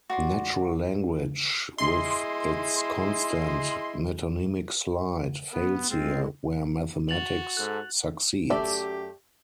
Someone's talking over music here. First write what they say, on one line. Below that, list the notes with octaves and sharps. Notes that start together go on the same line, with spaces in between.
Natural language, with its constant "metonymic slide", fails here, where mathematics succeeds.
F#4 D5 C6
E4 G#4 D#5 C6
B3
G#3 C4 F4
F#4 A6 F7 F#7
G#2 A4 F#6
F#2 A3 G4 D5 E5